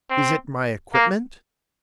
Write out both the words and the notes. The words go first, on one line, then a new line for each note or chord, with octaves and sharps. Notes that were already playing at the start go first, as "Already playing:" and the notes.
"Is it my equipment?"
C4
A#3